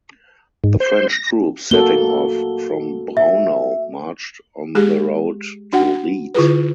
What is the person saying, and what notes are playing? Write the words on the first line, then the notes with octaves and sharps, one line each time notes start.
The French troops setting off from Braunau marched on the road to Ried.
G#2
C5
A#6
A#3 F#4 A4 G7
E5
G#3 G4 G#4
D4 F#4 F#5 G5
D3 E4 F4 G#4 B4